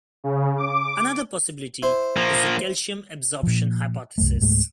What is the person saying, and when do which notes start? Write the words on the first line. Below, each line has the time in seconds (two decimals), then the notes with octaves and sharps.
Another possibility is the calcium absorption hypothesis.
0.24 C#3
0.58 D6
1.83 E4 C5
2.17 F3 A#3
3.43 A#2 F3
4.18 C2 F#2 A3
4.41 C#2 G#2 G#3 A3